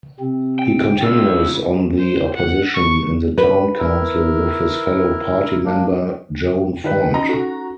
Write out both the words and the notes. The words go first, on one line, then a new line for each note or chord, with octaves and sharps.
He continues on the opposition in the town council with his fellow party member, Joan Font.
C3 C4
G5
C#4 F4 E6
C5
F#5
C#6
B4
E4 A#4
A#3 D4
D#3 B4
C#4 D#4 F#4 D#5 A#5
F#4 A4